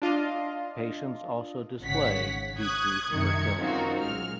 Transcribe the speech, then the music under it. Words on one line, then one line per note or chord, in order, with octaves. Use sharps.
Patients also display decreased fertility.
D4 F4 D#5 F5
G#1 C#3 C#5 F#5 B6
C#6 D#6 F#6 G#6
C2 F#2 D#3 E5 G#6 C#7
C4 C#4 D#4 F4 F#4 A#4
B1 G#3 F6